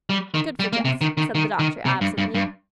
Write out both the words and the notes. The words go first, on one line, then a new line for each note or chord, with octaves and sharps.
"Good for Jess," said the doctor absently.
G3
D#3
G3
A#3
C3
D#3
D#3
D#3
D#3
C3
G2
G2
G2